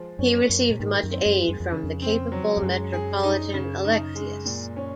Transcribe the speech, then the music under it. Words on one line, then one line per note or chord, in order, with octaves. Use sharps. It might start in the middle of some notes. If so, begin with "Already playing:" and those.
He received much aid from the capable Metropolitan Alexius.
Already playing: F3 G#3
F#2 C#4
F#2 A#3
A#2
G#2 D#3
F#2
C4
F#2
G#3
F#2
F2
C#3
F2
C4
F#3
F2
F#2 G#3
G#4
D#4
C#3
D#4
G#3
A#2
C#4